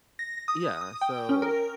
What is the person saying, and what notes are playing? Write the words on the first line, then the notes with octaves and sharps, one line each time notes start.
Yeah, so
A#6
D#6
D#6
G5
C#4
A#4